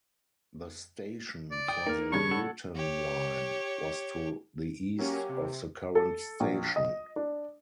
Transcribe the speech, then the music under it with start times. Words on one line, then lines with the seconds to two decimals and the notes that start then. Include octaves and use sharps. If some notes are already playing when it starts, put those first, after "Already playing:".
The station for the Hooton line was to the east of the current station.
1.51 D5
1.68 G5 D#6
1.86 A#3 D#4 A#4
2.12 G2 C#3 C#6 G#6
2.31 A4 F#5
2.75 G4 C#5
4.98 F#3 A#3 C#4 G4
5.29 C3
5.95 A4
6.40 A#1
6.76 D#5
7.16 D4